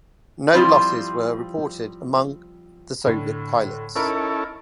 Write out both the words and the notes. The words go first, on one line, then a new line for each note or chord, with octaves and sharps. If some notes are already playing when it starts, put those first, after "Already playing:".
No losses were reported among the Soviet pilots.
F3 G3 A3 C4 E4 F4
A2 D3
C#4 D#4 E4 A4 A#4 B5